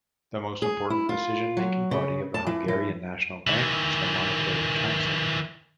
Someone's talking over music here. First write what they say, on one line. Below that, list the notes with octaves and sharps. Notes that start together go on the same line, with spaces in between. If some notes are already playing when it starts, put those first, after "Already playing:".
The most important decision-making body of the Hungarian National Bank is the Monetary Council.
G#4
E4
F4
F#3
C#3
A5
E3
E3
D#3 E3